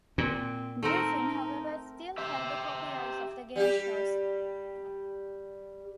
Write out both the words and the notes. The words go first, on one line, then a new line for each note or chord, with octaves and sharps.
Griffin however, still held the copyrights of the game shows.
A#2 C4
A3 C4 D#4 A#4
G4 E5
G3 G4